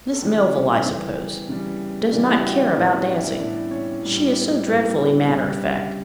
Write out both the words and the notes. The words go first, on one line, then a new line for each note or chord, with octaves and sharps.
Miss Melville, I suppose, does not care about dancing, she is so dreadfully matter-of-fact.
A4
C#3 E3 G3 B3 B4
C#4 C#5
C#3 E3 G3
C#3 E3 G3
C#3 E3 G3 D4 D5
E4 E5
G5
F#4 F#5
D4 D5
A2 G3 B3 B4
C#4 C#5
D4 D5
E4 E5
A2 G3 D4 D5
C#4 C#5
A2 G3
A2 G3 B3 B4
D3 D4
C#3 G3